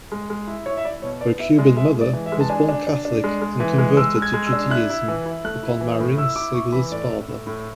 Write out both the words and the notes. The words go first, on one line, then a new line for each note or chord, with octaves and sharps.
Her Cuban mother was born Catholic and converted to Judaism upon marrying Sigler's father.
G#3
G#3
E4
E4 C#5
E5
E4 D5
B2 C#5
B3 D5
E4 E5
G#3 D5
G#3 E5
G#3
D5
E3
E5
G#3
A5
D4 G#5
D4
D4
D4
G#3
G#3
E3
G#3
G#3 E6
G#3
G#6
G#3
E6
D4
E4 F#6
E4
E3
E4
A3 F#6
E4
E3
A2
E4 E6
E4 D6
E4 C#6
E3 B5
A2 D5
A2
A2
A2